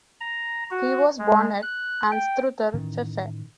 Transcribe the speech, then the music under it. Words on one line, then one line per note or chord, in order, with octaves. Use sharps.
He was born at Anstruther, Fife.
A#5
F#4
G#3
F#6
G5
A2 D#3 E3 C#4